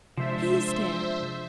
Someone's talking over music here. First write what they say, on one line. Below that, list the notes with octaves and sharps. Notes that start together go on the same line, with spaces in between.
"He's there!"
C3 F3 G#3 D4 C5 E5